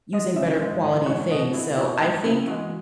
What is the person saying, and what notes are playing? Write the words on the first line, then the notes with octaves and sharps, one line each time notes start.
using better quality things?" So I think
G#3 D#5
C#3 E5
G#3
A2 D#5
E3 G#3 C#5
B2 D#5
F#3 E4
B2 E4
G#3 D#4
C#3 E4
E3 G#3 F#4